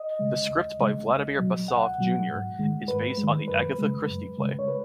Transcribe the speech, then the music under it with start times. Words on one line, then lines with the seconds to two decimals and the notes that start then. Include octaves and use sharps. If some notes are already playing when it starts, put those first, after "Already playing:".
The script by Vladimir Basov Junior is based on the Agatha Christie play.
Already playing: D#5
0.19 C#3 G#3
0.49 D#2
0.79 C#3 G#3
1.08 C#2
1.39 B2 F#3
1.68 C#2 F#5
1.98 B2 F#3
2.29 G#2
2.59 D#3 G#3
2.88 G#2 B4
3.18 G#3
3.23 D#3
3.48 F#2 B4
3.79 C#3 G#3
4.07 F#2
4.38 C#3 G#3
4.59 C#5
4.68 B4